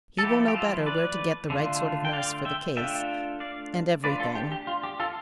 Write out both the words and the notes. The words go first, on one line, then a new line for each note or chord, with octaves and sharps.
"He will know better where to get the right sort of nurse for the case--and everything."
A4
F3 A3 E4 G4
G4
F4 A4
B4 D5
D3 A3 D4 F4
G5
D5 F5
E5 G5
A3 D4 F4 E5 G5
D5 F5
A3 D4 F4 B4 D5
F4 A4
G4
G4
F4
G4
F4 A4